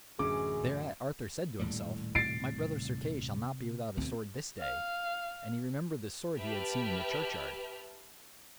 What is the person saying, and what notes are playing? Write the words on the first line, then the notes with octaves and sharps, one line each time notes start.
Thereat Arthur said to himself, "My brother Sir Kay shall not be without a sword this day." And he remembered the sword he had seen in the churchyard.
A1 F#2 D3 C#4 G#4 D6
D#1 A2 G3
C3 A6 C7 D7
D2 B2 C4
F5
G4 B4 E5 G5 A5 F6